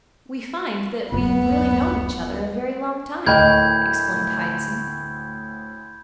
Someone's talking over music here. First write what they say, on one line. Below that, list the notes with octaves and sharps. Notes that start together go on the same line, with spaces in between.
"We find that we have really known each other a very long time," explained Hyacinth.
D1 F#2 B3
D2 A2 A#4 D#5 G5 B5 G6 G#6